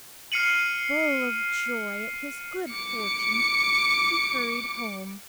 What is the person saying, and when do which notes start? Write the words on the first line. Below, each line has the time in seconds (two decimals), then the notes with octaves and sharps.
Full of joy at his good fortune, he hurried home.
0.32 F6 C7 C#7 D#7 F#7
2.71 D6 C#7